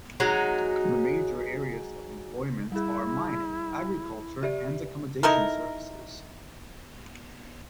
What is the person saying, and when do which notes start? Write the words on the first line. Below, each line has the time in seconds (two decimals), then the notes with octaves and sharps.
The major areas of employment are mining, agriculture and accommodation services.
0.20 F#3 G#3 D#4
2.72 G3 E4 G#4
4.43 G4 D5 E5
5.23 D#4 E4 A4 A#4